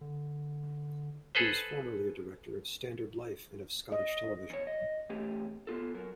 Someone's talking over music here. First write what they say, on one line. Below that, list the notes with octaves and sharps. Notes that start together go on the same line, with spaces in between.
He was formerly a director of Standard Life and of Scottish Television.
D3
G#4 A4 B4 C5
D#5
E2 C#5
D#5
E3 A3 C4 C#4 G4 G#4
B3 F4 A4
F#3 A#4